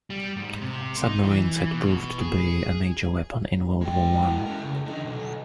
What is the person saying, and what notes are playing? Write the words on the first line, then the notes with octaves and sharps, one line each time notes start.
Submarines had proved to be a major weapon in World War One.
G3
G#2
C3
D#4
E3
B2
G#4
G#3 G5
G#3 E4
C#4 A#4
C#2
D3 D#4
B1